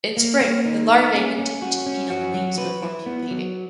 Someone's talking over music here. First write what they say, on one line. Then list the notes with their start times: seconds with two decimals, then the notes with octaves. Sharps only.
In spring, the larvae continue to feed on the leaves before pupating.
0.17 A#3
0.41 A#3
0.65 D#4
0.89 A#3
1.14 C#4
1.38 C#4
1.62 F#4
1.86 C#4
2.10 F#4
2.34 F#3
2.58 B4
2.82 E4
3.06 B3
3.31 F#3